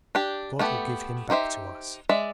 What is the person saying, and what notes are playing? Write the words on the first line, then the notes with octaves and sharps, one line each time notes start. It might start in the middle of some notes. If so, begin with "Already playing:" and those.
God will give him back to us!
D4 G4
A3 B3 G4 A4
D#4 G4 C5 E5
G#3 D5 E5